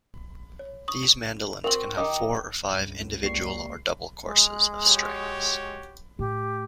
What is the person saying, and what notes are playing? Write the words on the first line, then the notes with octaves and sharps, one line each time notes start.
These mandolins can have four or five individual or double courses of strings.
C#5
C#6 D#6
C4 F#4 A#4 F#7
D#3 G4 D#5 D6
C#2 G2
G3 A#3 C#6 C7
G#3
F#4 G4 C#5
A2 G4